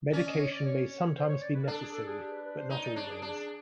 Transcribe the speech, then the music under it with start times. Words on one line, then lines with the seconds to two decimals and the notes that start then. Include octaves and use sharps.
Medication may sometimes be necessary, but not always.
0.13 C#4 D5
0.27 D#5
0.40 C#5
0.52 D5
0.65 C#5
1.16 C5
1.29 C#5
1.41 D5
1.54 B4
1.63 A#4
1.67 D4 A4
1.81 G#4
1.93 A4
2.06 G#4
2.20 G4
2.31 B4
2.45 B4
2.58 C5
2.70 D#4 C#5
2.84 D5
2.95 D4 C#5
3.09 G#4
3.22 D4